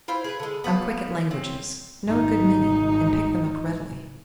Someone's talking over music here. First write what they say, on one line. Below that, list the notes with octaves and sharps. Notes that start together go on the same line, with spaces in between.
I'm quick at languages, know a good many, and pick them up readily.
E4 F4 C5
G#4 B4
D3 G#3
B3 F4 G4 A5
C4 C#5
G#1 D#4